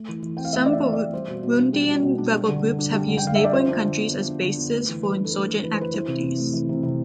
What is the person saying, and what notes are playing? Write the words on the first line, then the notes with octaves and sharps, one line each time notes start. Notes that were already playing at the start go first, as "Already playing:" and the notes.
Some Burundian rebel groups have used neighboring countries as bases for insurgent activities.
Already playing: A3
E3
E3
C4 G5
F5
A3 E5
E3 D5
E5
E3
D5
C4
G3 C5
B2
B2
D4
G3
B2
B2
D4
G3
D3
D3
D4
G3
D3
G5
D3 F5
D4 E5
D5
F3 C5
D4
D3
B3
F3
D4
D3
B3
A3 B4
E3
E3 B4
D4
A4
A3 B4
E3
E3 B4
C5
D4 B4
E3 C5
C3
C3
A3
E3
C3
C3